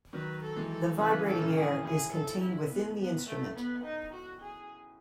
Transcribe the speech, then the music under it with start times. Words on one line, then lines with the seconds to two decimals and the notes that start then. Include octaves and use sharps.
The vibrating air is contained within the instrument.
0.13 D#3 F#3 B4
0.41 A4
0.56 E3 G#3
0.70 A4
0.98 C#3 E3 B4
1.27 A4
1.34 D#3
1.41 A2 C#3
1.55 G#4
1.84 A2 G#4
2.13 A4
2.42 E4
2.70 B3
2.98 B3
3.27 A3
3.56 B3
3.84 D#4
4.13 F#4
4.41 G#4